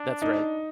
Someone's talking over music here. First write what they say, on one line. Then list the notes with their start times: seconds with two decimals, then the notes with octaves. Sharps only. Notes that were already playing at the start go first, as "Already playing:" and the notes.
That's right.
Already playing: D4
0.22 D#4